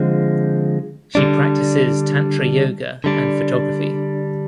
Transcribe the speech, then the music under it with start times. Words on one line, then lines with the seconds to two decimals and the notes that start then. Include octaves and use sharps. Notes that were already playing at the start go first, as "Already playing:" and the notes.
She practices tantra yoga and photography.
Already playing: D3 F3 G#3 C4
1.15 D3 G3 D4
3.04 D3 G3 D4